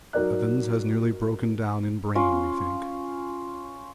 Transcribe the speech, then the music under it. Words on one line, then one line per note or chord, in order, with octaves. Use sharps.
Evans has nearly broken down in brain, we think.
F#3 D#4 A#4 D5 F#6
C#4 F4